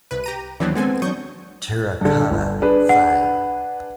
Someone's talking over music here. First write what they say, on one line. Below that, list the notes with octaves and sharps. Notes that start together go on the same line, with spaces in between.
Terracotta Sighing.
C2 B4
G4 A#5 D#7
D#2 E3 F#3 B3 C4 D4
G#3 B3 C4 A4 G#5
F#3 D4 C#6 D#6 G6
G2 D3
G1
D4 G#4 B4
F#5